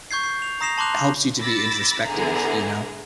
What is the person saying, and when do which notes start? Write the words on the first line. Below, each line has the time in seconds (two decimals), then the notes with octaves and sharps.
helps you to be introspective, you know?
0.11 C#6 G6 G#6 C7
0.23 C7
0.42 F7
0.61 A#5 D#6 A#6 C7 E7 F7
0.78 A5 C6 D6 F#6 F7
1.38 B5 D6 E6 A6 A#6
2.05 D3 B3 E4 G#4 A#5